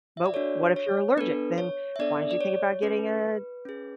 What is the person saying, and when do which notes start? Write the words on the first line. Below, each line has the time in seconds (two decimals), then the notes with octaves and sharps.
but what if you're allergic, then why don't you think about getting a
0.17 E5
0.26 D5
0.34 D4 F#4 A4 C#5
0.76 C#5
1.17 B3 D4 A4 B4
1.58 C#5
1.96 E5
1.99 B3 D4 A4 D5
2.31 D5
2.41 C#5
2.82 C#4 G#4 B4
3.65 C#4 G#4